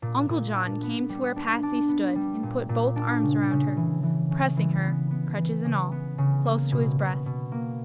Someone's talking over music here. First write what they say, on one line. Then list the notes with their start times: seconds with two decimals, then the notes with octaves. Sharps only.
Uncle John came to where Patsy stood and put both arms around her, pressing her--crutches and all--close to his breast.
0.02 A#2
0.29 A#2
0.55 D4
0.83 B3
1.09 G3
1.36 D4
1.63 D4
1.89 B3
2.15 G3
2.43 A#2
2.69 A#2
2.96 D4
3.23 C#3
3.51 C#3
3.77 E3
4.03 E3
4.31 C#3
4.57 E3
4.84 B3
5.10 B3
5.37 E3
5.64 C#3
5.92 B3
6.18 C#3
6.45 A#3
6.72 B2
6.99 B2
7.26 B2
7.52 A#3